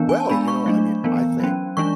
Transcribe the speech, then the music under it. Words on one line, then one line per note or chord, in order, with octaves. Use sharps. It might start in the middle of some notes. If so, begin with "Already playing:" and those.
Well, you know, I mean, I think,
Already playing: E3 B3 D4
G#5
A5
G#3 B3 D4 B5
C#6
F#3 A3 D4
E3 B3 D4
F#3 C#4
E3 G#3 D4 C#6